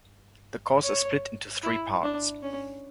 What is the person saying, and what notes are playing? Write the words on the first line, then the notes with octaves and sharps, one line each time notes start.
The course is split into three parts.
C#5
E4
D4
C#4